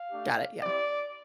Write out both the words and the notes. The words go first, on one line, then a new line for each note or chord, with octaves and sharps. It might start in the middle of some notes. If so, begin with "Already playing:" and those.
Got it, yeah.
Already playing: F5
A3 D4 G4
C4 E4 G4 D5